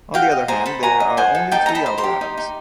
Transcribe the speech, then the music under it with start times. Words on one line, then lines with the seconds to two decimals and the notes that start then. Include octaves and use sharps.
On the other hand, there are only three outer atoms.
0.14 F#4 F5 G5
0.32 D#5
0.48 C5 G#5 A#5
0.66 A4 A5 B5
0.83 F#4 G#5 A#5
1.00 D#5
1.17 C5 F#5 G#5
1.35 A4
1.52 D#4 G5 A5
1.66 D#4 A#5
1.75 A5 B5
1.86 C5
1.98 A#5 C6
2.03 G4
2.21 D#4
2.37 D#4